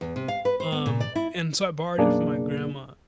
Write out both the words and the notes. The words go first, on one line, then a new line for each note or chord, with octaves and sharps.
um, and so, I borrowed it from my grandma,
E2
C3
F5
B4
C5
B3
A#2
D5
E4
F#2 B2 A#3 D4 G#4